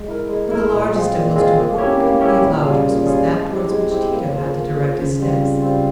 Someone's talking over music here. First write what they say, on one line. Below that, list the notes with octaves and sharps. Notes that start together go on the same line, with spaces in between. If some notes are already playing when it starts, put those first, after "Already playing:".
But the largest and most important company of loungers was that towards which Tito had to direct his steps.
Already playing: G#3
E4 A#4
G#3
E4 A#4
A#2
G#3 C4 F4 G#4
A#2
G#3 C4 F4 G#4
A#3
C#4 E4 G4 C#5
A#3
C#4 E4 G4 C#5
A#2
G3 C#4 F4 G#4
A#2
G3 C#4 F4 G#4
G#3
C4 E4 G4
G#3
C4 E4 G4
A#3
F4 G#4 C5
A#3
F4 G#4 C5
C#3
G3 C4 F4
C#3
G3 C4 F4